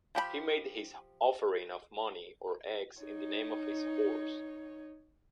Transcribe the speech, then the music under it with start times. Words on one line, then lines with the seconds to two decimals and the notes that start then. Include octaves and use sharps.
He made his offering of money or eggs in the name of his horse.
0.15 F3 G4 G#4 B5
3.03 D#4 C#5